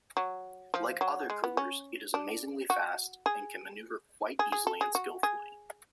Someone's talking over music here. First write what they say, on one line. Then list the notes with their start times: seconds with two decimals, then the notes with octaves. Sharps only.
Like other cougars, it is amazingly fast, and can maneuver quite easily and skillfully.
0.17 F#3
0.74 F3
1.01 F#3
1.30 G#3
1.44 B3
1.57 C#4
2.14 D4
2.70 F#4
3.26 G#4
4.39 G#4
4.52 G#4
4.67 A4
4.81 G#4
4.95 F#4
5.23 G#4